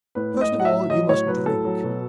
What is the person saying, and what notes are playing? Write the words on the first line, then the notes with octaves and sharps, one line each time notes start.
"First of all you must drink!"
A2 B4
A2
D#5
A2
F#5
E5
F#3
F#3 D#5
A2 C#5
F#3 B4
A2 A4
F#3
B2